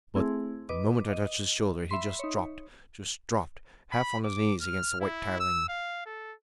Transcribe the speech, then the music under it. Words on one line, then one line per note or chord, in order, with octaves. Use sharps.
But, the moment I touched his shoulder, he just dropped--just dropped, half on his knees against the white tiling.
A3 C4 E4 G#4
B4 D#5 D6
D#5
E5 B5 C6 B6
D#4 C#5
B5
D6
F6
E4
E6
F5
A4